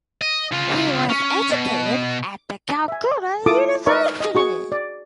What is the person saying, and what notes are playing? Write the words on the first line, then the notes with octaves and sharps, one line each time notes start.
He was educated at the Calcutta University.
D#5
C#3 F4
C#4
B2
E5 G#5
E4 F4 A4 A5 D6 D#6
D#4 A#4 B4 D5 E5 C#6
D#5
F#4 G#4 C#6
D5